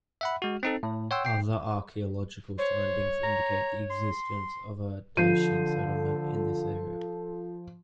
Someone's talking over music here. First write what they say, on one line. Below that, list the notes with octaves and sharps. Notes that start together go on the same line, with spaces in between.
Other archaeological findings indicate the existence of a Dacian settlement in this area.
E5 F#5 B5
G#3 F#4
C4 D#4 A4
A2
C#5 F#5 G5 C6 E6
G5 C7
C5 C#5
A#5
C6
D3 F3 F4 A4 G6 C7 D#7